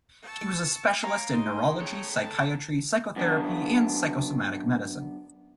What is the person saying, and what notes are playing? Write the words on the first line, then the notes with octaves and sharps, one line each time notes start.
He was a specialist in neurology, psychiatry, psychotherapy and psychosomatic medicine.
A5 C#6 E6
C#5 F5 A#5 D6
C#3 D#4 C6
A4 C#5 G5
A5
F#2 D3 B3 D4